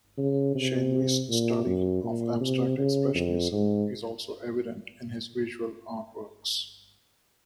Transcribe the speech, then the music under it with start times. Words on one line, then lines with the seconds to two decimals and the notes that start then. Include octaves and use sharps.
Shen Wei's study of abstract expressionism is also evident in his visual artworks.
0.18 C#3
0.55 C3
1.29 A#2
1.66 F#2
2.04 A#2
2.40 C3
2.77 C#3
3.15 F2
3.52 G#2